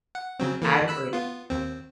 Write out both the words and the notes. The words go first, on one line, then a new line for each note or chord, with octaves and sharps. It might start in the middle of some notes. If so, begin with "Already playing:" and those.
I agree.
F#5
C#3 F#3 C4
E3 A#3 A4
B5 E6 F#6
B3 F4
D#2 C4